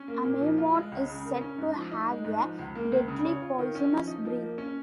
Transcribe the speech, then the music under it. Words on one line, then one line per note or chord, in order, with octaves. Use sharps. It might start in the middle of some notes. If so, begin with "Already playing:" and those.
Amaymon is said to have a deadly poisonous breath.
Already playing: C#4
A#3
A#2
F3
F4
G#3
C#2
C#3
A#4
C#4
G#2
F3
D#4
G#3
G#2
F3
C#2
A#3
C#2
C#3
C#5
F4
D#3
C#4
F3
D#4
F3
A#3
C#4